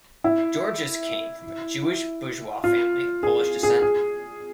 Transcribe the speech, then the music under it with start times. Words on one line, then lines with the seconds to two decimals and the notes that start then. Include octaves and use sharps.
Georges came from a Jewish bourgeois family of Polish descent.
0.24 E4
2.64 F4
3.23 G#4
3.63 G#4
3.82 G#4